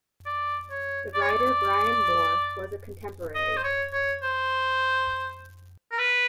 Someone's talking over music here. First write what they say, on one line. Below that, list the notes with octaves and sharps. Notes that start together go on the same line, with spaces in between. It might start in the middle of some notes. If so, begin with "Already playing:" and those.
The writer Brian Moore was a contemporary.
D5
C#5
D5
C#5
D5
D#5
C5
C#5
C#5
C5
A#4
B4